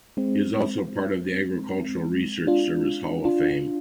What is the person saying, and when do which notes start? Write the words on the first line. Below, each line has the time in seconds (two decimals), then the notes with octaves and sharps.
He is also part of the Agricultural Research Service Hall of Fame.
0.17 G#3 C4
2.47 D4 F4
3.25 D4 F4